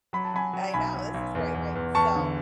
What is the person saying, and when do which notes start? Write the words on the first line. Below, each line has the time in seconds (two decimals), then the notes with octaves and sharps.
I know, this is great, right? So,
0.13 F#3 B5
0.24 A5
0.34 F#3 G#5 B5
0.53 F#3
0.74 B1 G#5 B5
0.95 B1
1.14 B1
1.35 E2
1.54 E2
1.75 E2
1.95 E2 A5 C#6
2.15 D3